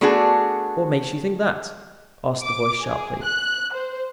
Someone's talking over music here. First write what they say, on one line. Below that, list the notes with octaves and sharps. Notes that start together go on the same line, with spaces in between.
"What makes you think that?" asked the voice sharply.
A3 B3 D4 F#4 G#4
D6
G#4
F#6
C5